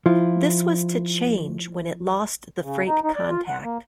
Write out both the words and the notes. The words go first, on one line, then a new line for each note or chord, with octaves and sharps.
This was to change when it lost the freight contact.
F3 E4 F4
C#3
D#4
D#4
D5
F4
F#5
A#3